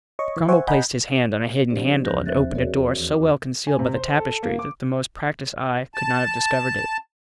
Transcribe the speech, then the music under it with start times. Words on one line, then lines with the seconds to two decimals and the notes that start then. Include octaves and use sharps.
Cromwell placed his hand on a hidden handle and opened a door so well concealed by the tapestry that the most practiced eye could not have discovered it.
0.19 C#5 D#5 C#6
0.36 E3
0.49 C5 E5 F#5 G#5 C#6
0.68 D#5 F#5 G#5 A#5 B5 G6
1.70 F3 C4 D4 G4 C5 D5
2.04 E2 F3 F#6 G6 A#6
2.26 D#2 C4 C5 E5 F#6 A6
2.54 F#4 G#4 A#4 C#5 D5
2.94 E3
3.14 D6
3.67 G#5
3.79 C3
3.95 C5
4.17 A4
4.43 A#3
4.59 D6
5.95 A5